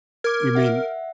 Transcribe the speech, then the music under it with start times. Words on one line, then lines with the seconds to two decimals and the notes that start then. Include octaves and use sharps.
You mean
0.24 A#4 D6 G#6
0.55 E5 F#5